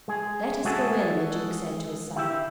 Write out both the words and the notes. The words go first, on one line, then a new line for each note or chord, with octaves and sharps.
"Let us go in," the duke said to his son.
G#3 G#4
G#3 F#4 G#4 A4 E5
E4 G4 E5